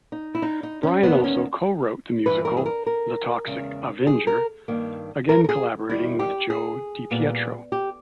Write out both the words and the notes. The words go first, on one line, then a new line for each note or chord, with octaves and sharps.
Bryan also co-wrote the musical "The Toxic Avenger", again collaborating with Joe DiPietro.
D#4
E4
D#4
D#4
C#4
E2 D#3 A#3 B3
C#4
G2 E3 G3 B4
A#4
G#4
A#4
A#4
E2 C#3 G#3
G#4
A#4
G2 D#3 A#3
A#4
A#4
G#4
E2 D#3 G3 E4
G4
G#4
A#2 G3 B3
G4